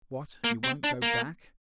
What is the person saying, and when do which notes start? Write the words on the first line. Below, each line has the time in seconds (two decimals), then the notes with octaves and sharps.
"What! you won't go back?"
0.44 A#3
0.64 C4
0.84 D4
1.02 A#3